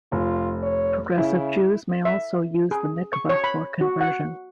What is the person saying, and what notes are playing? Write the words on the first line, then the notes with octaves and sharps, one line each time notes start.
Progressive Jews may also use the mikveh for conversion.
F1 F4
C#5
C#3 E4
E5
G#4
C#6
C#5
B5
F#4
F#5